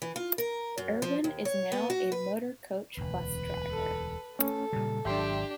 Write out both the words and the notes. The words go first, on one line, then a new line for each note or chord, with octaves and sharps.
Irwin is now a motor coach bus driver.
E3
F4
A#4
F#2
F3
D#2
C#5
B3
F#4
B4
E1 D2 B4
A4
A3 C#4 A4
A#2 C#3 G3
G#1 F#3 D4 G4 E5 G5 C6